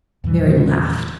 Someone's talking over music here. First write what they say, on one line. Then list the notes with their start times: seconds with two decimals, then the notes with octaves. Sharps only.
Mary laughed.
0.24 E2 A#2 E3 G3